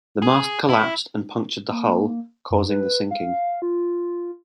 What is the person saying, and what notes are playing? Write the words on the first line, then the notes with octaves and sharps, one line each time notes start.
The mast collapsed and punctured the hull, causing the sinking.
G#4
E4
A#3
F#2
B4
F5
F4